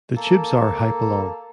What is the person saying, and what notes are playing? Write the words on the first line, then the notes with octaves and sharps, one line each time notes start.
The tubes are Hypalon.
A#3 A4